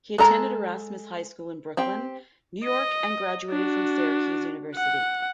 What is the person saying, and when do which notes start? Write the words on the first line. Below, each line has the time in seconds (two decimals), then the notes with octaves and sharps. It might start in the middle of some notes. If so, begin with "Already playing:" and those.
He attended Erasmus High School in Brooklyn, New York and graduated from Syracuse University.
0.18 G#3 A4 A#5
1.77 C4 G4 G5
2.64 D#5
3.49 D4 F#4
4.75 F#5